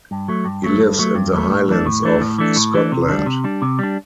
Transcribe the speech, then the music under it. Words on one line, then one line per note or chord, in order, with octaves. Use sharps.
He lives in the Highlands of Scotland.
G2
F#3 A3
G2
F#3 A3
G2
F#3 A3
G2
F#3 A3
A2
E3 A3 D4
A2
E3 A3 D4
A2
E3 A3 D4
A2
E3 A3 D4
C3
G3 D4
C3
G3 D4
C3
G3 D4